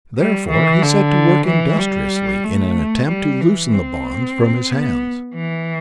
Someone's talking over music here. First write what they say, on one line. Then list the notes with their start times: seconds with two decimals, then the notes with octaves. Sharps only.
Therefore he set to work industriously in an attempt to loosen the bonds from his hands.
0.18 G3
0.49 E3
0.82 D3
1.47 E3
1.79 G3
2.44 A3
3.08 G3
3.41 E3
3.73 C4
4.70 B3
5.35 E3